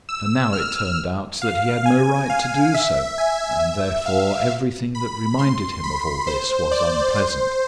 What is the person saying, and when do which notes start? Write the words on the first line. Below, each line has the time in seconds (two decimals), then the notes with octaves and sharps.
And now it turned out that he had no right to do so, and therefore everything that reminded him of all this was unpleasant.
0.09 E6
0.53 F6
1.42 F5
1.86 G#5
2.30 F5
2.74 E5
3.18 G#5
3.62 E5
4.06 F5
4.95 B5
5.39 C6
5.84 B5
6.27 C5
6.71 D5
7.15 C5